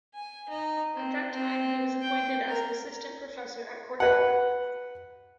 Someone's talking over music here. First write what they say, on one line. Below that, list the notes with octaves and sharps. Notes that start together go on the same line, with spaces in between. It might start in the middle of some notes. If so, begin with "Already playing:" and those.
At that time he was appointed as an assistant professor at Cornell.
G#5
D#4
C4
C4
G5
A#4
B4 F#5